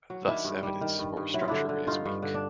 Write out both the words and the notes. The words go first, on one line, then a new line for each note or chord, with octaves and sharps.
Thus evidence for structure is weak.
F#3
D#3 D4 E4
G2
G3
D#3
G2
G2
F#3 E4
F4
D3 D4 E4
D3
G2 D#4 F4
G2
D3
D4